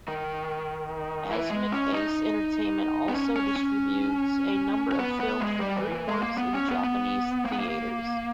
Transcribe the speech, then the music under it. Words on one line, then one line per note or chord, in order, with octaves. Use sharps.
Asmik Ace Entertainment also distributes a number of films from DreamWorks in Japanese theaters.
D#3
E3
G#3
C#4
D#4
B3
C#4
C#4
C#4
C#4
B3
B3
G#3
G3
E3
E3
G#3
A#3
B3
C#4
B3
B3
A#3
B3
A#3